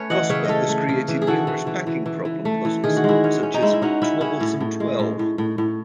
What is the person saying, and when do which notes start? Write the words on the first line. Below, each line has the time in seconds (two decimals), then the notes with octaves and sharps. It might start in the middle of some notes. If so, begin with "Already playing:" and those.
Gosper has created numerous packing problem puzzles, such as "Twubblesome Twelve".
Already playing: A3 C#4 B4 C#5
0.10 E3 D#5 F#5
0.30 C#3 C#5 E5
0.45 A3 A4 C#5 D#5
0.69 A3
0.89 C#3
1.08 E3
1.22 G#4
1.27 E3 F#4 A4
1.47 E3
1.67 E3
1.87 E3
2.06 E3
2.25 E3
2.45 A3
2.65 E3
2.84 D#3 G#4
2.97 F#4
3.04 G#3 E4 G#4
3.24 C#4
3.43 C#4
3.54 D#4
3.62 G#3 E4
3.73 E4
3.82 C#4 D#4 F#4
4.02 C#4 E4
4.21 C#4 E4 G#4
4.41 A2
4.60 A2
4.80 G#3
4.99 A2
5.19 A2
5.38 A2
5.58 A2